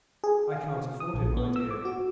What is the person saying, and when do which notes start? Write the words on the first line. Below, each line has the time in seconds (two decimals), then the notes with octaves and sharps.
"I can't afford it, my dear."
0.24 G#4
0.52 F5
1.00 D#6
1.14 A#1
1.37 B3
1.56 E6
1.71 D6
1.85 F#4